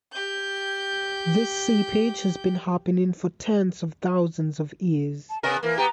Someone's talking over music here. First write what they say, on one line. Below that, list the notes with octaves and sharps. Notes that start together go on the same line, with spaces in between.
This seepage has been happening for tens of thousands of years.
G4 G6
A5
C3 B3 A#4 G#5
E3 A#3 A#4
B3 G4 A#5